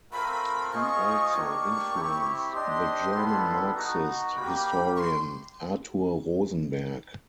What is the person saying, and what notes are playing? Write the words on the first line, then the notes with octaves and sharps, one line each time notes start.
He also influenced the German Marxist historian Arthur Rosenberg.
A3 C4 F4 A#4 B5
F4 G#4 C5 D#5 C#6
A#3 D4 G4 C#6
C4 E4 G4
D4 G4 C5 D#5 C6
G3 B3 E4 A4
B3 D#4 F#4 A#5
G3 A#3 D#4 G4 B5
C#6
C6